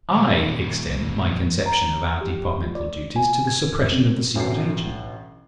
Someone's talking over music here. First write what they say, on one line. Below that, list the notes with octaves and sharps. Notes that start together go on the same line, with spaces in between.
I extend my conception of our departmental duties to the suppression of the secret agent.
D#2 A#2
A#5
G4
F4
D5
G#5
G#6
F#2
C4
A1 B2 E3 F#3 D4 C7